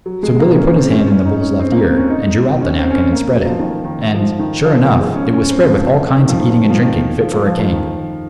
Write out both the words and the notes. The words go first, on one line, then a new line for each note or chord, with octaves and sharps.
So Billy put his hand in the bull's left ear, and drew out the napkin, and spread it; and, sure enough, it was spread with all kinds of eating and drinking, fit for a king.
F#3
G#3
G#3
A#3
C#4
C4
C#4
C#4
D#4
C#4
C4
A#3
C4
C#4
D#4
C#4
C4
C#4
C4
A#3
F#3
F3
D#3
D#3
F3
D#3
F3
F3
G#3
C#4
C#4
C4
F3
D#3
F3
D#3
F3
D#3
F3
D#3
F3
F3
F3
F3
D#3